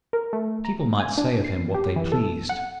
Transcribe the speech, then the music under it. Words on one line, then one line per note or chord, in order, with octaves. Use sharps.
People might say of him what they pleased.
A#4
A3
A#5
G#5
D4
C7
G4
E3
A4
F#5